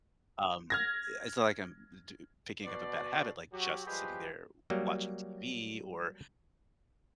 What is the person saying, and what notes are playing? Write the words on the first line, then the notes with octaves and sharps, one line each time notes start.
um, eh it's not like I'm d picking up a bad habit, like, just sitting there watching TV, or
F6 G#6 A#6
B2 D5
F#3 F#4 G4
F3 G3 G#3 G4 G#4 B4
F#3 G3 A#3